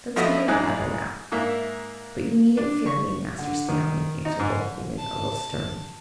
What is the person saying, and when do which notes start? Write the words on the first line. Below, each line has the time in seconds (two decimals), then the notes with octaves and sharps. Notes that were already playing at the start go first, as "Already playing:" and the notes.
'Don't speak of the Bible now; but you needn't fear me, Master Stanley,' answered the old woman, a little sternly.
0.16 F3 A3 B3 F#4 D#5 E5
0.48 E2 G#2 D#4 G#4 F#6
1.32 G#2 A#3 E5
2.57 D4
2.86 C#6
3.38 D3
3.68 D#3
4.25 D#4
4.39 G#2
4.99 A5